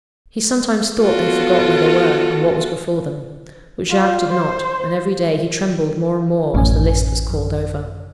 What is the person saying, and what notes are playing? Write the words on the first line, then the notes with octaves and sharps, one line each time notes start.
He sometimes thought they forgot where they were, and what was before them. But Jacques did not, and every day he trembled more and more as the list was called over.
B3 F4 F#4 A4
F4
C5
A1 F#2 C#4 G#5
F#2